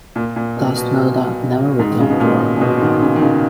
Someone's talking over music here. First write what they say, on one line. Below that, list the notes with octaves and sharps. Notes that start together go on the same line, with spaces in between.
Thusnelda never returned to her homeland.
A#2
A#2
B2
B2
G#2
D#3
C#3
B2
A#2
B2
D#3
C#3
D#3
C#3